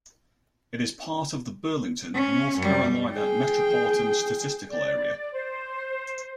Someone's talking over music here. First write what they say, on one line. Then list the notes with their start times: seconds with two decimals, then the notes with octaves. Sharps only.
It is part of the Burlington, North Carolina Metropolitan Statistical Area.
2.14 C#4
2.58 F#2 G3
3.13 G#4 G5
4.69 D5
5.32 C5